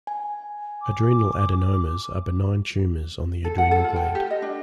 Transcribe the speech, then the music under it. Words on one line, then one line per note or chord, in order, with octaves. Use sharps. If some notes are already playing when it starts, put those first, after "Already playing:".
Adrenal Adenomas are benign tumors on the adrenal gland.
G#5
D6
A4
F#5
A4
F4
G5
G4
D#5
D4